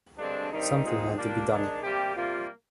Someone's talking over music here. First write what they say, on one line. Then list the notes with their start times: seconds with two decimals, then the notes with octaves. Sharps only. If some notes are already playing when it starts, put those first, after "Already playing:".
Something had to be done.
0.18 G2 D3 G#3 C4 D4
0.52 G2 D#3 G3 C4 D#4
0.85 A#2 G#3 C4
1.18 A#2 G3 A#3 D4
1.50 G#2 D#3 G#3 D4
1.83 C3 G3 A#3 G4
2.15 C3 G3 A#3 F4